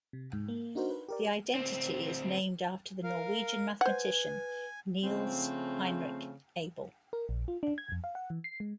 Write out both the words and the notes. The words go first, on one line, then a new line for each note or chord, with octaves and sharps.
The identity is named after the Norwegian mathematician Niels Henrik Abel.
C3
G#2
A#3
D4 D#4 F#4 A#4 C5
B4
G4 A#4 D5
D2 C4
A#4 F5
B4 C5 F#5 G#5
C#3 F3 A3 C4
A#4
A#1
F4
D4
G#6
F2
F5
F#5
E3
C7
G#3